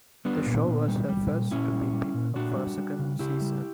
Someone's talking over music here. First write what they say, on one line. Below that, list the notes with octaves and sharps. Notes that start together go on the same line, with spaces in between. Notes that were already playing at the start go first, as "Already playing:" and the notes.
The show was her first to be picked up for a second season.
G3 B3 D4
A#2
A#2
G3
G3
A#2
A#2 C#4 E4
G3
G3
A#2
A#2 D4 F#4
G3
G3
C#3
C#3 E4 G4
G3